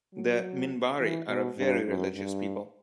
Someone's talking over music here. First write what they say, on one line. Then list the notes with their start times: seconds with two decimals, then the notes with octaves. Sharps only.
The Minbari are a very religious people.
0.14 F#3
0.99 E3
1.28 B2
1.57 G2
1.87 F#2
2.15 G2